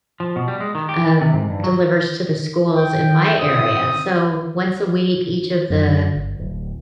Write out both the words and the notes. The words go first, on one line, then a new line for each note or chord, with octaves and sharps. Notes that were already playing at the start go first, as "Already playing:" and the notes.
um, delivers to the schools in my area. So once a week, each of the
F3
B2
G3
G#3
D#3
G4
E3
C3
G#2
G2
F#3
G5
C4 D#6
F#2
G1
D1